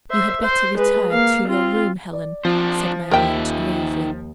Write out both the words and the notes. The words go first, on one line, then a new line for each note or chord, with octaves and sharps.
'You had better retire to your room, Helen,' said my aunt, gravely.
C5 E5
C5
G#3 B4
A#3 F5
C4 F4
D5
F3 C4 D4 F4 C5
D#2 D#3 A#4 E5 G5